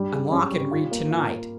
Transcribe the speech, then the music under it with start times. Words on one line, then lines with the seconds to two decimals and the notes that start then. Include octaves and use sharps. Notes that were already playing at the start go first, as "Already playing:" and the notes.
"Unlock and read to-night."
Already playing: G2 G3
0.12 G#4
0.31 C#4
0.51 G3
0.71 F4
0.91 A#3
1.11 F4
1.30 A#4